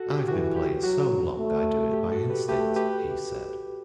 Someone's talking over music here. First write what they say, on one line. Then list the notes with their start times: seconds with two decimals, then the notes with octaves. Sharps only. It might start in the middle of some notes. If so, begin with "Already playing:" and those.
"I've been playing so long I do it by instinct" he said.
Already playing: F#4 A4
0.11 G4
0.28 E3 F#4
0.56 G4
0.84 F#3 F#4
1.39 A3
1.93 G4
2.12 F#4 A4
2.30 G4 B4
2.48 A3 G4 B4
2.76 G4 B4